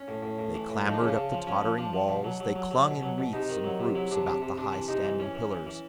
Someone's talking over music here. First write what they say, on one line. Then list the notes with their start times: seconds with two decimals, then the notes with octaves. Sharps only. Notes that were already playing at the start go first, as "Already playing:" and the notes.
They clambered up the tottering walls, they clung in wreaths and groups about the high-standing pillars.
Already playing: C#4
0.08 A2
0.23 A2
0.38 A2
0.55 E3
0.69 A2
0.86 F3 D#4
0.93 D4
1.01 C#3 C#4
1.08 D4
1.16 C#3
1.32 F3
1.47 F3 C#4
1.62 F3
1.78 F3 D4
1.94 F3
2.09 B2
2.24 F#3
2.40 F#3
2.56 F#3
2.71 F#3
2.87 B2
3.02 F#3
3.18 B2
3.33 C3 D#4
3.49 D#3
3.64 F#3
3.80 C3
3.95 F#3 E4
4.11 C3 D4
4.26 C3 D4
4.42 C3
4.57 C3 D4
4.72 E3
4.88 C3 D#4
5.03 E3
5.20 E3 C#4
5.35 E3
5.51 E3
5.67 E3